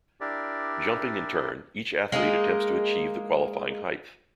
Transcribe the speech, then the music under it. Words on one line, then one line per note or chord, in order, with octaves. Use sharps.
Jumping in turn, each athlete attempts to achieve the qualifying height.
D4 E4 G4 A#4 D5
G#3 A#3 D#4 G#4